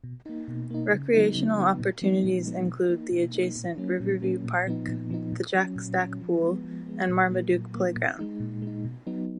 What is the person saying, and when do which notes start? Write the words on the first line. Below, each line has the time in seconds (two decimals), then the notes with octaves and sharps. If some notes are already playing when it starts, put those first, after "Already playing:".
Recreational opportunities include the adjacent Riverview Park, the Jack Stack pool, and Marmaduke Playground.
0.04 B2
0.26 A#3 D#4
0.48 B2
0.70 A#3 D#4
0.92 C#3
1.13 F#3 B3 D#4
1.35 C#3
1.57 F#3 B3 D#4
1.79 A#2
2.02 F3 G#3 B3 D#4
2.24 A#2
2.45 F3 G#3 B3 D#4
2.67 B2
2.90 A#3 D#4
3.12 B2
3.34 A#3 D#4
3.56 A#2
3.78 F#3 A#3 C#4
4.00 A#2
4.22 F#3 A#3 C#4
4.44 A#2
4.67 F3 B3 D#4
4.88 A#2
5.10 F3 B3 D#4
5.32 A#2
5.54 F#3 C#4
5.76 A#2
5.99 F#3 C#4
6.21 F3
6.42 G#3 B3
6.64 F3
6.86 G#3 B3
7.09 A#2
7.30 F#3 A#3
7.53 A#2
7.75 F#3 A#3
7.96 A#2
8.19 G#3 D#4
8.40 A#2
8.62 G#3 D#4
8.85 B2
9.07 F#3 B3 D#4